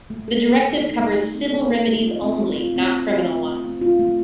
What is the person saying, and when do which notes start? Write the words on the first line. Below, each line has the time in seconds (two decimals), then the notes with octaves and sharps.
The directive covers civil remedies only-not criminal ones.
0.10 A3
0.28 A4
0.47 A4
0.64 A3
0.81 D#4
1.00 A3
1.17 A3
1.34 C4
1.52 A4
1.70 A4
1.87 A3
2.05 F4
2.22 C4
2.40 A3
2.58 F4
2.76 C4
2.93 C4
3.11 A3
3.29 F4
3.46 A3
3.65 C4
3.81 F4
4.00 A3